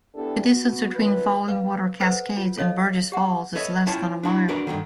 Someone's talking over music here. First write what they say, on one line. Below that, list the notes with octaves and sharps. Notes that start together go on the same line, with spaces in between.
The distance between Falling Water Cascades and Burgess Falls is less than a mile.
B3 D4 E4 G4 A4
B3 F#4
D#3 F3 F#3 B4
B4 F5
A4 B4 C5 E5 F#5
F4
A4 C#5 D#5 F5
G4 F#5
A4 B4 C#5 D#5 E5
C#4 E4 F4 C#5 G5 A5
D4 E4 F#4
D4 F#4 A#4 B4 D5
G2 B2 D3 D#3